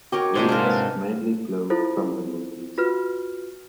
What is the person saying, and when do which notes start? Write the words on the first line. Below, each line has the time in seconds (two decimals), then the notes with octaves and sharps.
Winds mainly blow from the northeast.
0.12 F#4 A#4 C#5 D#5 G5 D6
0.35 G#2 C3 D4 G#4 C5
0.49 F4 G4 A#4 A5 F6
0.64 B4
1.70 E4 F4 A4 C5
2.78 F4 F#4 B4 F6